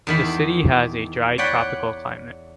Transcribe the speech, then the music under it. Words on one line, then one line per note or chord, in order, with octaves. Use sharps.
The city has a dry tropical climate.
E2 D#3 B5
C#5 D5 F#5 G5 B5